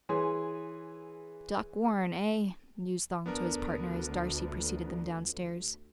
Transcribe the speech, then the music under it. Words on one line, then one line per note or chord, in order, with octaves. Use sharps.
"Doc Warren, eh," mused Thong to his partner, as Darcy preceded them downstairs.
E3 G#4 C#5 G#5 C6
D2 B3 D4 A#4